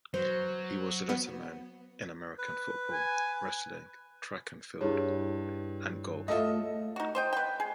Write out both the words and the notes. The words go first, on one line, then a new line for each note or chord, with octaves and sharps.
He was a letterman in American football, wrestling, track and field, and golf.
F#3 C5
B3
B4
G#5
G2 E4 G#4 C#5
A3 F4 A4 D#5 E5
D#4 F#4
C5 D#5 G5
B4 G5
G#4